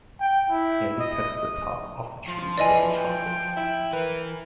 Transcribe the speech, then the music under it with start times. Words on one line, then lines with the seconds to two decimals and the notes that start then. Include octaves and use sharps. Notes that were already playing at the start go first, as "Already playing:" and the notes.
Andy cuts the top off the tree to get the chocolate.
0.20 G5
0.50 E4
0.99 D#5
2.28 F3 C6
2.58 E3 D5 D#5 G#5
2.91 G5
3.56 E4
3.93 E3 A#4 B4